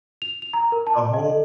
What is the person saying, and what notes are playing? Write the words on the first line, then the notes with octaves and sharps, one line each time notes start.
the whole
F7
F7
A#5
A#4
A5
D#5
A4